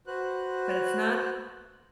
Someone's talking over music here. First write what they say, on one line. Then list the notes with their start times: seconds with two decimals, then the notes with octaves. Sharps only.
but it's not
0.07 F#4 B4 C5 F#6